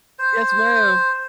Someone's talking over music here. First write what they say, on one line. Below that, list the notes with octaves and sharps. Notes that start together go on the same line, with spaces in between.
Yes, ma'am.
C5